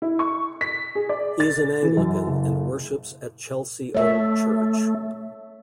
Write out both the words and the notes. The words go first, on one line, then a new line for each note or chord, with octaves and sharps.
He is an Anglican and worships at Chelsea Old Church.
E4
C#6
B6
G#4
D5
A6
E3
F#2
F#1
A3 C#5 E5